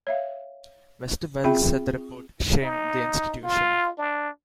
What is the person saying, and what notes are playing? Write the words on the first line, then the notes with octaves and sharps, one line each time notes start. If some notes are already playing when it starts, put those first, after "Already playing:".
Westerwelle said the report "shamed" the institution.
C#5 E5 F5
C4 F4 G#4 E5 G5 B5
D#4
F4
D4